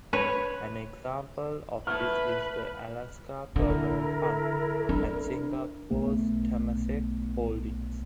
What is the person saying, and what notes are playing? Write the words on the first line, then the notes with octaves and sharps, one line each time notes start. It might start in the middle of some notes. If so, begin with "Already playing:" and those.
An example of this is the Alaska Permanent Fund and Singapore's Temasek Holdings.
B4 C#5
A3 B3 E4 B4 F6
D3 E4 A4 A#4
D4
B1 A3 B3